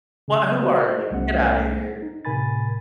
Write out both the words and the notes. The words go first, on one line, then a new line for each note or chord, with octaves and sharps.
What who are you? Get out of here."
C#3
F#4 C5 D#5
C2 G3 A3 B3 C#4 F#5
D#4
A2 C3 A#4 G#5 B5 A6